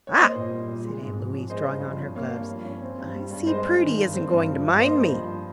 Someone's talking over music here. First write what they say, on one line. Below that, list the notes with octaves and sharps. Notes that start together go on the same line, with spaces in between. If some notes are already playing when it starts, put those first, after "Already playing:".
"Ah!" said aunt Louise, drawing on her gloves, "I see Prudy isn't going to mind me."
C#5
A#3 C5 D#5
A#2
G3
A#2
G#3
G#2
F3
C#4
G#3 C5 D#5
G2
F3
C#4
A#3 C#5 F5
G2
F3
C#4
C4
G2
G3
G2
G#3 C5 D#5
G2
D#3
G2
C4
G2
F3
G2
A#3 C5 D#5
G2
F3